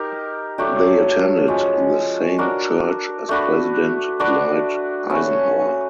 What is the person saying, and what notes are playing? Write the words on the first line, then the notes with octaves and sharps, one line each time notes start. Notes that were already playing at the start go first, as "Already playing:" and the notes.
They attended the same church as President Dwight Eisenhower.
Already playing: D#4 G4 A#4
F#3 A3 D4 G4
F3 G#3 C#4
D4 F#4 A#4
A3 D4 F#4 B4
D4 F#4 B4 D5
A3 C#4 F#4 B4